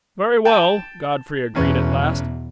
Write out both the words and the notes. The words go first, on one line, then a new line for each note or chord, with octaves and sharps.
"Very well," Godfrey agreed, at last.
G5 A5
A1 E2 B2 C#4 B4